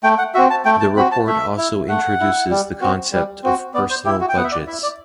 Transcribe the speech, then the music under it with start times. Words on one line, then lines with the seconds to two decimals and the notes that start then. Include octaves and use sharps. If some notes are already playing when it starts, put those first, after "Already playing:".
The report also introduces the concept of personal budgets.
0.03 A3 G5
0.18 F#5
0.34 C4 F#4 E5
0.50 A5
0.65 A3 G5
0.80 A5
0.96 C4 F#4 B5
1.12 A5
1.27 A3 E5
1.58 E4
1.89 A3 F#5
2.20 E4
2.50 G3
2.81 C4 F#4
3.13 G3
3.44 C4 F#4
3.74 B3 D5
3.90 C5
4.05 E4 G4
4.21 F#4
4.29 G5
4.36 B3 F#5
4.44 E5
4.52 D5
4.67 E4 E5
4.83 D5